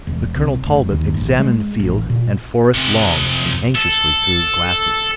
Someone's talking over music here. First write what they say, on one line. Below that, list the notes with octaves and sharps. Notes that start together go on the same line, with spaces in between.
But Colonel Talbot examined field and forest long and anxiously through his glasses.
E1
C2
F1
D#2
A1
G#3
A1
A#2
F2 C3
A4